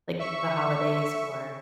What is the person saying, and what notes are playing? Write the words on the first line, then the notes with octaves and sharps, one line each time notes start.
like, the holidays or
E5 C#6